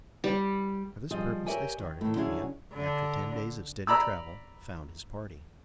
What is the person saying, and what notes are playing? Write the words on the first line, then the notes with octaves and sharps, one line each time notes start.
For this purpose they started, and, after ten days of steady travel, found his party.
G3
F3 G3 G#4 D#5
G4 A#4 C#5 D5 E5 G#5
D#3
A2 D#3
D3 F#3 C#4 E4 G#4
D3
D5 A#5 B5 D6 E6